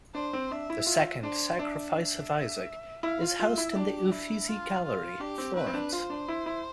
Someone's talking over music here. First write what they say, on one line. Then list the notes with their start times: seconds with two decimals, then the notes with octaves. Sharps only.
The second "Sacrifice of Isaac" is housed in the Uffizi Gallery, Florence.
0.15 D4 C5
0.33 C4
0.51 D4 E5
0.70 E4
0.87 F4 E5
1.23 D4 C5
1.59 D4 E5
1.95 E5
3.03 E4 F5
3.22 F4
3.40 F4 E5
3.58 E4
3.76 D4 G4
4.11 E4
4.48 F4
4.85 F4
5.20 D4 G4
5.38 C4
5.56 C4 B4
5.66 C4
5.74 D4
5.92 F4 C5
6.10 D4
6.28 E4
6.46 E4